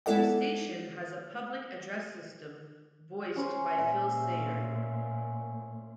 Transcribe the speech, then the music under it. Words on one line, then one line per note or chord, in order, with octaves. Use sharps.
The station has a Public Address System voiced by Phil Sayer.
G#3 B3 E4 A4 D5 F#5
C#4 C5
A#2 E5